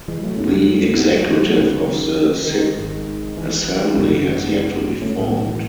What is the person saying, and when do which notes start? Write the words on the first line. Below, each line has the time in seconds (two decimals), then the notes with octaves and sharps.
The Executive of the Sixth Assembly has yet to be formed.
0.08 E3 G#3
0.23 F#3 A3
0.38 F#1 F#2 C#3
0.53 F#3 A3
0.97 G#3 B3
1.12 F#3 A3
1.27 E3 G#3
1.43 F#3 A3
1.57 C#2 C#3 G#3 B3
1.72 D#3 F#3
2.47 D#3
2.77 G#1 G#2
3.37 E3
3.97 G#1 F#2 C#3 E3
4.12 D#3 F#3
4.22 F#3
4.26 E3 G#3
4.41 G#3 B3
5.02 A3 C#4
5.16 B1 A2 G#3 B3
5.31 D#3 F#3
5.46 E3